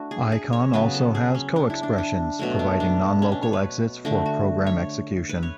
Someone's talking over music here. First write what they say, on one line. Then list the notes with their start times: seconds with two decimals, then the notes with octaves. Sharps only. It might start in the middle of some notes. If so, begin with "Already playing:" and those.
Icon also has co-expressions, providing non-local exits for program execution.
Already playing: A3 D4 E4 F#4
0.11 G#4
0.32 G#4
0.53 C#5
0.73 C#3 F#3 B3 B4
0.94 A4
1.15 G#4
1.35 C#4
1.56 D4
1.70 E4
1.83 D4
1.98 D4
2.39 B2 F#3 A3
2.59 D4
2.80 D4
3.22 C#4
3.32 D4
3.43 C#5
3.53 B4
4.05 D3 A3 F#4
4.26 F#4
4.67 C#5
5.29 B4
5.43 C#5